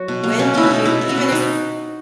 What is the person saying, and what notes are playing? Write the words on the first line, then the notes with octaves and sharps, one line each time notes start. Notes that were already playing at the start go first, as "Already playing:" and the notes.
When do you even if
Already playing: F#3 F#4
B2
A#3
B2 C#4
B2 E4
D#4
B2
B2 E4
B2
F#4
B3
B2 D#4